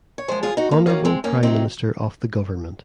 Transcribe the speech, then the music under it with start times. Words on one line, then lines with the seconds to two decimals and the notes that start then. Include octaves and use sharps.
Honorable Prime Minister of the Govt.
0.18 C#5
0.28 F#2 F3 G#3 G#4 C5
0.43 F4 G#4
0.57 D#4 F#4
0.71 A#3
0.86 D#2 D#3 F#3 A#3 C#4
1.05 G#3 C4
1.24 A#3 C#4
1.43 C3 F#3 C4 D#4